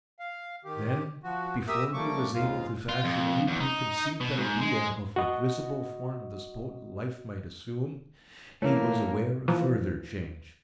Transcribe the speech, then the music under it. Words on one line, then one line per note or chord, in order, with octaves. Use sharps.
Then, before he was able to fashion any preconceived idea of what visible form this potent life might assume, he was aware of further change.
F5
D#3 G4
F3 F#4
G4 A#4 E5 D#6 E6
F3 G3 A3 A#3 C#6 D6
D#2 G#2 F4 F5
F4
F2
E2
D#4
B2
G#2
G#3
F#4 D#5
E3 A3 A#3 C#5 E5 F5
A#2 E3 F3